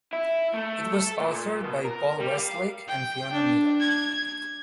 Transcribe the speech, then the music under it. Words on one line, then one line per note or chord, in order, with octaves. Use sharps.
It was authored by Paul Westlake and Fiona Miller.
E4
A3
A4
A#2
B2
A#4
G3
F5
G5
D4
G#6